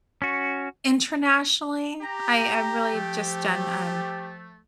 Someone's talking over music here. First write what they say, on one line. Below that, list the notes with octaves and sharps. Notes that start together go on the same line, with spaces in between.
internationally, I I really just done, um,
C#4 F#4
G4 A#5
F3 A3